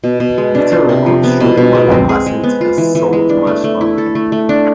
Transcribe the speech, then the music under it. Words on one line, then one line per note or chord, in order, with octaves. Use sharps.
Later records show the manor passing to the "Saltmarsh" family.
B2
B2
G#3
D4
F4
C3
F3
B3
B2
B2
G#3
C4
G#4
G#3
B3
F4
E3
E3
G#3
D4
A3
A3
E4
A4
A3
A3
D4